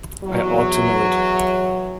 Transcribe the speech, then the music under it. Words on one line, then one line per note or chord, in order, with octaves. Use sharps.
I ought to know it.
E2 F#3